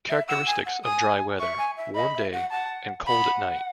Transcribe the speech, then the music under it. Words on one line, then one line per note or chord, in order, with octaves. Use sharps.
Characteristics of dry weather, warm day and cold at night.
E5
F#5 E6
G#5
F#5
G#5 D#6
E5 C#6
G#5
E5
D#5 B5
E5
F#5
F#5 A5
F#5 B5